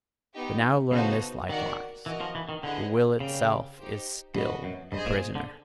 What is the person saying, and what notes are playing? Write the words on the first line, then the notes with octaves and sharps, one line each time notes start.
But now learn this likewise: the Will itself is still a prisoner.
B3 D#4 G4
C#3 B3 D#4 F#4 A4 C5
D#3 F#4 A#4 D5 F#5
E3 F#4 A#4 D#5 F#5
F3
E3
D#3
D3 E4 G#4 B4 D#5 F#5
C#3 G4 A#4 D5 G5
D#4 G4 C5
G2 F#4 B4 D#5
F#2
G2 G#4 C5 D#5
A#2
D3